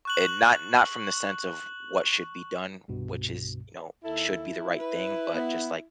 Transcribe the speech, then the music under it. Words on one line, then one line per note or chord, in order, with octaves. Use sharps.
And not not from the sense of what should be done, which is you know, should be the right thing, but just, like, ch
C#6 F#6 F#7
C2 G2 B2
D#2 E4 A4
B4
B3